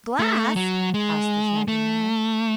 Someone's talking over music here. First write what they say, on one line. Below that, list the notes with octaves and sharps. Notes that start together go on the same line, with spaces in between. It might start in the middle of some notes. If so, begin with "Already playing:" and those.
"Glass?" asked the Shaggy Man.
A3
F#3
G#3
A3